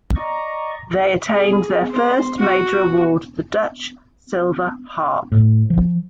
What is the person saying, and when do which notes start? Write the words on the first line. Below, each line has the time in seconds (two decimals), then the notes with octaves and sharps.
They attained their first major award, the Dutch "Silver Harp".
0.15 D5 D#5 A#5 C#6
1.31 G#4
1.90 C5
2.38 F#4
5.32 A2
5.70 F3